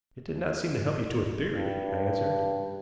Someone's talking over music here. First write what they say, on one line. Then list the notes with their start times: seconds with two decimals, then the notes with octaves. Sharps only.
"It did not seem to help you to a theory," I answered.
1.54 G2